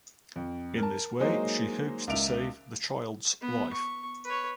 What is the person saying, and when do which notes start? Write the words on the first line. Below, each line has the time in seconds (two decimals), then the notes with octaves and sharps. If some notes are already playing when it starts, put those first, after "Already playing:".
In this way she hopes to save the child's life.
0.36 F2
0.78 A#4 A5
1.20 F#3 G#3 A#3 D#4 C5 D#5
2.07 C#2 A#4 E5 D7 F7
3.41 B3
3.73 C#6
4.25 B4 C#5